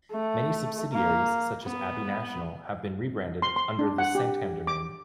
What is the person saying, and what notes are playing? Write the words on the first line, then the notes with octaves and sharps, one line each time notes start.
Many subsidiaries, such as Abbey National, have been rebranded under the Santander name.
A3
A#3
B3
C6
C6
D4
F#5
G4
D6